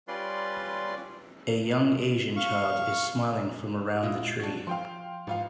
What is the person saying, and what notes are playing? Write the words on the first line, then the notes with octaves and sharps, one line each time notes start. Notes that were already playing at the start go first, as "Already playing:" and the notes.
A young Asian child is smiling from around the tree.
G3 C#4 F4 B4 D5 C6
F5 C#6
A#2 E4 F4 D#5
D4 F#4
F3 F5 G5 C6
A1 G#2 F4 F5